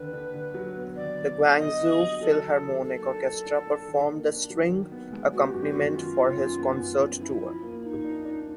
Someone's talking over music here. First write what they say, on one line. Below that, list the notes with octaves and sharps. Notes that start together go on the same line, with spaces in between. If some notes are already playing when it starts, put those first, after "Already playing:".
The Guangzhou Philharmonic Orchestra performed the string accompaniment for his concert tour.
Already playing: D#2 D3 B4
D3
D3
F#3
B3
D#2 D5
D#2
D3
B3 D#5
D#2
F#3
F#3 A4
D#3
D#3
A#3 A4
D4
D4
D4
D4
D#3
A#3
D4
F#3
D#3
B3
G#3
B3 F#4
G4
F#2 F#4
G4
D#3 F#4
D#3 F4
D#3
F#2
B3
F#2
F#2
F3 E4
F3
A#3
A#3 D#4
D4
D4